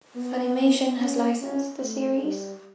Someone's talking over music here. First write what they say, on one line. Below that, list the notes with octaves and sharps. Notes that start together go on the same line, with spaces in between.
Funimation has licensed the series.
B3
C#4
C#4
A3
G3